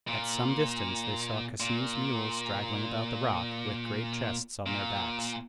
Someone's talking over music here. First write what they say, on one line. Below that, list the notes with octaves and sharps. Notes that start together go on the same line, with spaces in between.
At some distance they saw Cassim's mules straggling about the rock, with great chests on their backs.
A#2
A#2
A#2